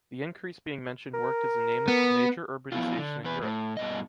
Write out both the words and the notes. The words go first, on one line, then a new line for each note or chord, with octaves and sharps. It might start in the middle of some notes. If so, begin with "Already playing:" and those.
The increase being mentioned worked as a name of the major urbanization in Europe.
A#4
B3
F3 B3 E4 F4
D3
E2 B4
A2
G2 B2 D#5